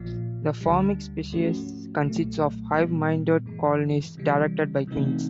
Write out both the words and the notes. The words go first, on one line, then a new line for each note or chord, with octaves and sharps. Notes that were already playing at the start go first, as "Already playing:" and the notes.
The Formic species consists of hive-minded colonies directed by queens.
Already playing: A#1 A#2 F3
D2 D3 G3
G#2 F3 A3 C#4 F#4
B1 A#2 F#3 A3
A#2 G3 B3
G2 E3 G#3
C3 E3 G3
C3 E3 A3 C4 D#4